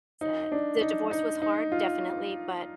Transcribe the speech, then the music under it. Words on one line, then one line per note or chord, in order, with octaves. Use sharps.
So, the divorce was hard, definitely, but
D#4
D4
D#4
D#4
D#4
F4